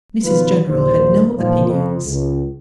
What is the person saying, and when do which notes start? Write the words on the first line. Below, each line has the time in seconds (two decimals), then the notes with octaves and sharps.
Mrs General had no opinions.
0.24 G#1 B2 D#3 F3 F4 B4
0.68 A#1 D#2 A#3 C5
1.36 E2 A#2 D#3 F3
1.67 F2
2.05 C#2